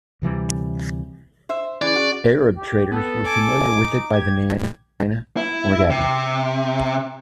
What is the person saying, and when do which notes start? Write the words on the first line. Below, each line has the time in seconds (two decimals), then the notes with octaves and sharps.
Arab traders were familiar with it by the name "Dina Morgabin".
0.22 D2 C3 E3 G3
1.49 C5 E5
1.82 E3 C#4 G#4 D5
1.96 F#4
2.56 G4
2.91 B3 A4
3.26 G#5 D6
3.74 D#4
4.13 G4 G#6
5.37 E4
5.90 C3